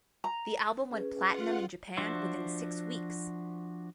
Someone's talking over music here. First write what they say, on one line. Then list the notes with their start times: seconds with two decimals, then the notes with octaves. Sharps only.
The album went platinum in Japan within six weeks.
0.24 A#5
0.91 C#4 G#4 B4
1.27 F4 F#5
1.97 F3 D4 F#4 C5 E5